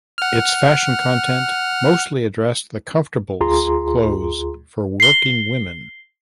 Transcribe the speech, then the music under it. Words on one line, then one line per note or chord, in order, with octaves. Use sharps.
Its fashion content mostly addressed the comfortables clothes for working women.
F#5 F6
D2 F4 G#4 A#5 C6
C7 G7